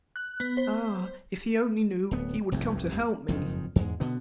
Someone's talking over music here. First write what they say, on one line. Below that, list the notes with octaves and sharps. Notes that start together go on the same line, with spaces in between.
Ah! if he only knew, he would come to help me.'
F#6
B3
C5
D1 B3
F1 C2 G2
F#1 F2 G#2 D#3
E2 G#2 G#3
B2 D3 B3